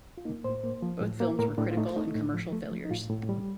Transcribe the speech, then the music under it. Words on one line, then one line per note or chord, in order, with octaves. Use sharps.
Both films were critical and commercial failures.
F4
A#3 D#4
A2 C5
A#3
F3
A2
A#3
A2 A#4
A2 D4
F4
A3 D#4
A3 D#4
A2
F3
A3
F3
D#4
A2 F4
A2
G3